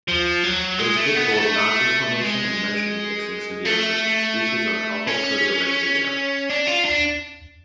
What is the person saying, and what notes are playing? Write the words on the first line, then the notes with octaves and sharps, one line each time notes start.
It is capable of nodule formation and nitrogen fixing symbiosis with species of alphaproteobacteria.
F3
F#3
G#3
A3
B3
A3
G#3
A3
C#4
D4
F4
D4